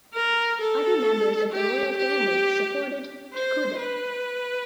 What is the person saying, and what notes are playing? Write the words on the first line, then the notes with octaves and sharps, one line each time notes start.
Other members of the royal family supported Tekuder.
A#4
A4
G4
G4
C5
B4